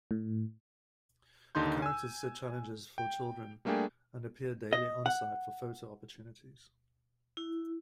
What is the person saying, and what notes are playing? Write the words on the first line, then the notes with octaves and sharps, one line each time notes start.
The characters set challenges for children and appear daily on-site for photo opportunities.
A2
D#2 D3 D#4 C6 G6
G#5 E6
G5
G3 A3 A#3 D4 G4 G#4
D#5
F#5
E4